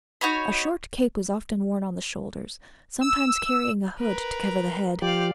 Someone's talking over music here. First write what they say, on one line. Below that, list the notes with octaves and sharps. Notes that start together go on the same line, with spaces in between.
A short cape was often worn on the shoulders, sometimes carrying a hood to cover the head.
D#4 F#4 C#5 B5
E6
A#4 B4
F3 G4 D5 F5